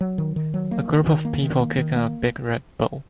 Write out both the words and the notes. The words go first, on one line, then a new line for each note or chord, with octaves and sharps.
A group of people kicking a big red ball.
F#3
D#3
D#3
F#3
A#3
D#3
D#3
A#3
D#3
A#3
D#3
A#3